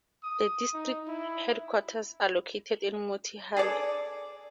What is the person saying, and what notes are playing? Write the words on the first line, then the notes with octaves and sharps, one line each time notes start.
The district headquarters are located at Motihari.
D#6
D#4
E4
G#4 A4 D5